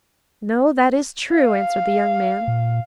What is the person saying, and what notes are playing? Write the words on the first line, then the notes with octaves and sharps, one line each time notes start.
'No; that is true,' answered the young man.
F5
A#2